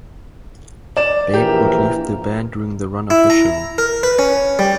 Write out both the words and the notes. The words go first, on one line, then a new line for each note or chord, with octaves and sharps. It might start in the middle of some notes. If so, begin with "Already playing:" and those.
Babe would leave the band during the run of the show.
D5 E7
A#1 E3 G4 A#4
E4
A#5
A#4
B4
C#4
G3